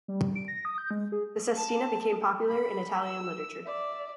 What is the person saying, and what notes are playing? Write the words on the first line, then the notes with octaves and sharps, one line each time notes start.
The "sestina" became popular in Italian literature.
G3
D7
A#6
D#6
G6
G#3
G#4
A5
B5
E6
D5 E5